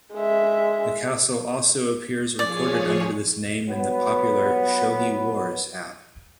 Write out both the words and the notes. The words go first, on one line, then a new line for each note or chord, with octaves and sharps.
The castle also appears recorded under this name in the popular "Shogi Wars" app.
G#3 E5
F3 G#4 C#5 D5
F#3 B3